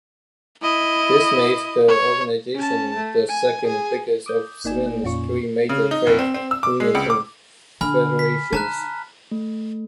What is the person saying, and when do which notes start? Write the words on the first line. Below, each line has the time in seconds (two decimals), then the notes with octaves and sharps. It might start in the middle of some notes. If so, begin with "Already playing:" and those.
This makes the organization the second biggest of Sweden's three major trade union confederations.
0.63 E4 D#5
1.88 C#5
2.54 C#4 A5
2.96 A3
3.29 G#5
3.64 G#4 G#5
4.26 D6 D#6 G6
4.64 G1 A#3 D#4 D5 G#5 E7
4.86 A#3
5.03 F2 A#2 C#4 F4 C#6
5.69 C#3
5.91 D#4
6.07 F1
6.19 C4
6.34 C4
6.51 E6
6.63 D6
6.80 G#3
6.95 C#2
7.10 D6
7.81 D3 G#5 B5 F6
8.19 B6
8.53 D#4 A5 A#5 F#6
9.31 A3